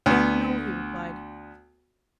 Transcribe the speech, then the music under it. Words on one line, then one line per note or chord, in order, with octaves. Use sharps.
"No," he replied.
D2 B3